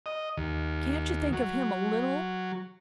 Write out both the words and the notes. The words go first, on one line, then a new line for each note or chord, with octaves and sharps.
Can't you think of him a little?
D#5
D#2
F#3